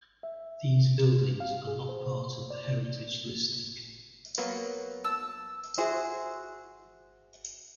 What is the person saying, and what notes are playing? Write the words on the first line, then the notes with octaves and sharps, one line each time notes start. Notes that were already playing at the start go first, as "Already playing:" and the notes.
These buildings are not part of the heritage listing.
E5
B2
F5
G#4
C5
D5
F#3 A#3 B3
A5 E6
F#4 G#4 C5 E5